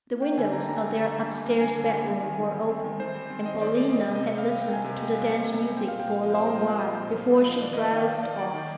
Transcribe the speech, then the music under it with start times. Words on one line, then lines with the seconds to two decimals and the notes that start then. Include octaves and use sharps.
The windows of their upstairs bedroom were open, and Paulina had listened to the dance music for a long while before she drowsed off.
0.22 A#3 G5
0.38 D3 G#5
0.53 D3 A#5
0.68 G3 A#5
0.84 A#3
0.99 D3
1.14 D3
1.30 G3
1.45 A#3
1.60 D3 G#5
1.76 D3
1.84 G#5
1.92 G3
2.07 C4
2.22 D#3
2.38 D#3
2.53 G3
2.69 C4
2.84 D#3
2.99 D#3 C5
3.15 G3
3.30 C4
3.45 D#3 D#5
3.61 D#3 D5
3.77 G3 D5
3.92 C4 D#5
4.07 C3
4.15 D#5
4.23 C3
4.38 G3 F5
4.50 C4 F5
4.62 G5
4.69 C3 G#5
4.84 C3
5.00 G3
5.15 C4
5.31 C3
5.46 C3
5.62 G3
5.77 C4 G5
5.88 A#2 F5
6.00 G5
6.08 A#2 F5
6.23 F3 D#5
6.35 C4 C5
6.46 A#4
6.54 A#2 D#5
6.68 A#2 F5
6.78 D#5
6.85 F3
7.00 C4
7.15 A#2
7.31 A#2
7.46 F3
7.62 D#3 D5
7.74 A#3 D#5
7.85 F5
7.93 D#3 G5
8.08 A#3 F5
8.23 D#3 D5
8.39 A#3 D5
8.54 D#3